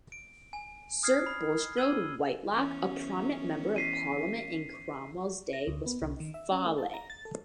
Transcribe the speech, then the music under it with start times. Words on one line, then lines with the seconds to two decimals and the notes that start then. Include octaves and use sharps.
Sir Bulstrode Whitelocke, a prominent Member of Parliament in Cromwell's day, was from Fawley.
0.12 D7
0.53 G#5
1.03 D#6 F6 G#6 C7
1.26 B5
1.77 E6 G#6 D#7 F#7 G7
2.50 E3 B3 C#4
3.76 B6 C7 D#7
5.53 A#6
5.67 D2
5.86 B3
6.02 C2
6.20 D#3
6.34 E5
6.52 C#4
6.65 A3
6.78 A5
6.94 A#5
7.10 A6
7.25 A4